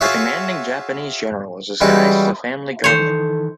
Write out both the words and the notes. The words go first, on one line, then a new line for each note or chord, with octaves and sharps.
The commanding Japanese general was disguised as a family gardener.
F4 F#4 G#4 C#5 E5
E3 G3 G#3 C#4 F#4
D#3 E3 A4 C5 C#5